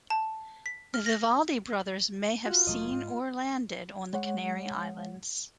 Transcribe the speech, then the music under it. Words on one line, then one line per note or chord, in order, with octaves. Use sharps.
The Vivaldi brothers may have seen or landed on the Canary Islands.
A5
B6
F6
A#6
F4 F#4
F1 F#3 A3 D#5
G#2
G#3 C#5 F#5